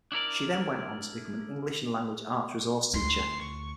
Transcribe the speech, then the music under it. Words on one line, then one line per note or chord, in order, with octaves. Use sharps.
She then went on to become an English and Language Arts resource teacher.
D4 E4 A#4 D5
D2 E4 C6 C7
C#6